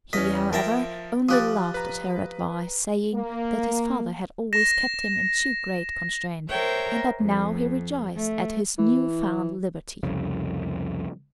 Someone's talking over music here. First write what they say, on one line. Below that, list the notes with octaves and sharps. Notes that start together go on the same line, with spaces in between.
He, however, only laughed at her advice, saying, that his father had always kept him in too great constraint, and that now he rejoiced at his new-found liberty.
E2 C#4 D#5 B6
F3 A#4 E5 G5 A#5 A6
F3 G4 D#6 F#6 A6
B4 A#5
A#3
A#6 E7
A#4 C5 C#5 E5 G5
F2
A3
E3
C2 F2 C#3